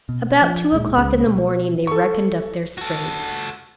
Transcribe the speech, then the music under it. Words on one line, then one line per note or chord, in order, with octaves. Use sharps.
About two o'clock in the morning, they reckoned up their strength.
B2
F3
D1 A#2 G#3
C#2 G#3 C#4
B2
A4 C#6
F#4 A4